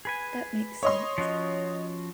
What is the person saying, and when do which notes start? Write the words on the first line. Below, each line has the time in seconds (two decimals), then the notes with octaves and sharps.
that makes sense.
0.05 G#4 B4 G#5
0.83 C#5 D#5 C6
1.18 F3 C#4 F#4